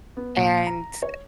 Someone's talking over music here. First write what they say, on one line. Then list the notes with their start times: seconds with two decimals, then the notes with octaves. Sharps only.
and eh,
0.17 B3
0.37 A#2
0.67 A#5
1.03 C#5